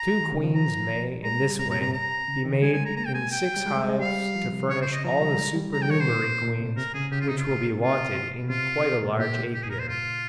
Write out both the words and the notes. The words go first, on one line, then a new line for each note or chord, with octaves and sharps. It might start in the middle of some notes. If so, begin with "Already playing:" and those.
Two queens may in this way, be made in six hives to furnish all the supernumerary queens which will be wanted in quite a large Apiary.
Already playing: A#5
D#3
C#3
F3
A#5
G#3 A#5
G3
C3 A#5
A#2 A#5
C3 A#5
A#5
C#3
D#3
G3 G#5
G#5
G#3
A#5
A#3 A#5
G5
G#5
G5
G3
G#3
G#3
G#3
G3 F5
F3
C3
C#3 C#5
C5
D#5
F3 A#5
G3
G#3
G3
F3 A#5
G5
D#3
C#5
C3
C5
A#2
A#2
C3
C3 A#4
C#3 G#4
C#3 G4
F4
C3 D#4
F4
A#2
C3 F4
C3
C3 F4
C#3
A#2
A#2 G4
G4
G#4
A#4
C5
F4